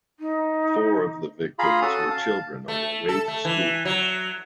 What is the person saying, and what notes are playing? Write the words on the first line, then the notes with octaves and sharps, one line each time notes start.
Four of the victims were children on their way to school.
D#4
F4 G#4 F5 A#5 B5
C#4 F#4 A4 A5 D#6
F5 A5
A3
A4
A3
E3
F#3